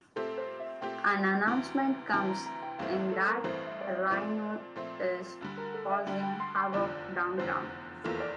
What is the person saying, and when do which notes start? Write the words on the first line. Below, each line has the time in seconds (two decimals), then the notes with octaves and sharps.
An announcement comes in that Rhino is causing havoc downtown.
0.16 A#2 A3 C4 G4 A4
0.38 C5
0.60 E5
0.81 A#2 A3 C4 G4 G5
1.47 D2 C3 E3
2.13 D2 C3 E3 A5
2.29 A#5
2.46 A#5
2.63 G5
2.79 A1 G2 E3 A3 C4 F5
2.95 E5
3.11 A4
3.28 A#4
3.44 A1 G2 E3 A3 C4 C5
3.67 E5
3.81 D5
3.88 E5
4.10 A#2 F3 A3 C4 D5
4.76 A#2 F3 A3 C4
5.41 D2 D3 G3
5.57 A#4
5.74 A4
5.91 E5
6.07 D2 D3 G3 G5
6.23 G5
6.40 C6
6.56 C6
6.73 F1 E2 D3 F3 D5
7.38 F1 E2 D3 F3 C5
8.04 F1 E2 E3 A#3 F4 A4
8.20 D5